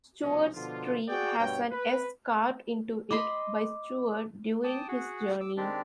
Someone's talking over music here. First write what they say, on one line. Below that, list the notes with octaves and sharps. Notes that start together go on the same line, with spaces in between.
Stuart's Tree has an 'S' carved into it by Stuart during his journey.
C2 B2 F3 C#4 D#5
B2 D3 F3 F4
F#4 G#4 D5 G5
G2 B2 C#5 G5
B4
D#5 B5 C6 D6
G5 A5 D6 D#6
F#4 G#4 F#5
D6 E6
D#3 G#3 C4 D4 G4 D5